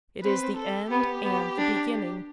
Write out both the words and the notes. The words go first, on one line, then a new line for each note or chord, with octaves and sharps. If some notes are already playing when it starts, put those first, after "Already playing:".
It is the end and the beginning.
C4 B4
A4
B3 G4
B3
D4